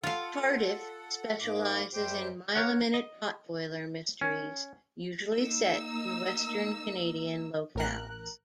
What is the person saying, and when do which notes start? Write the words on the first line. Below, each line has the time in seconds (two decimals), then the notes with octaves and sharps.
Tardif "specializes in mile-a-minute pot-boiler mysteries, usually set in Western Canadian locales".
0.03 F4 A4 F5 F#5
1.41 G#2 D#3 A#3 D6
1.93 F#2 G3 G4 C5 G5
2.55 A#4 C#5 F#5
2.94 D#5
4.21 C#4
5.31 A#3 D#4 E6
7.75 A1 A#4 F#6